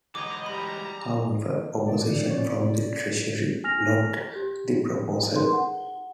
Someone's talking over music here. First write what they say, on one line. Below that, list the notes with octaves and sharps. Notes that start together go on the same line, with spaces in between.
However, opposition from the Treasury blocked the proposal.
E3 F#3 G#3 D#5 A#5 D6
G3 A#5 B5
G#2 D5
D3 E3 A3
D#3 F3 C#4
C3 C#4 C#5 D5
G#5 F6 A#6 F7
G4
D#4 G#4 A#4 B4 C6
F#5